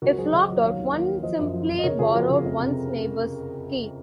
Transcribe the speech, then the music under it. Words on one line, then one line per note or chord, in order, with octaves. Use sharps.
If locked out, one simply borrowed one's neighbour's key.
C#2 F#4 A#4
F#3 G#4 C5
C#3 D#5 F#5
F#3
D#2 C#5 F5
D#2
D#2
D#3
F3 C5 D#5
F#2
F3
F3
D#5
C#3 A#4 C#5
C#3 F4 G#4
F3 F#4 A#4
C#3
F2
C3